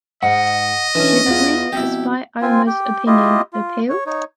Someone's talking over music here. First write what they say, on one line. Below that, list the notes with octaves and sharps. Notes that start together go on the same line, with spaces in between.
Shouldn’t we, despite Omer’s opinion, appeal?
G#2 D#5 F#5
D3 E3 C#4
E2 B3 F4
F2 B2 E4 G4
C4 F4 G#5
G4 G5
E4 F4 G4 D#5
F4
C#5
D#4 C#5